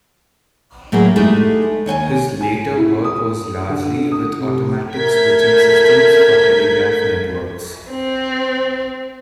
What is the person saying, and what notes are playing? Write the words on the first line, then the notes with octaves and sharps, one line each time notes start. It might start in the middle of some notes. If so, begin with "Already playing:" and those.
His later work was largely with automatic switching systems for telegraph networks.
A2 F#3 A#3 G#4 A#4
G#3 A3 D#4 E4 G4 A4
D#2 C#5 G5 G#5
G#5
E4
D#6
D3
D#6
C3
A3 A#4 G6 G#6 B6
C4